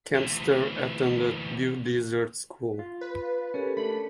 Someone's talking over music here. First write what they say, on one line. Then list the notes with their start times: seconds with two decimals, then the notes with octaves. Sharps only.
Kempster attended Beaudesert School.
0.15 D2 E3
2.79 F4
3.01 B4
3.54 C#4 G4 A4 A#4
3.77 A3 D4 B5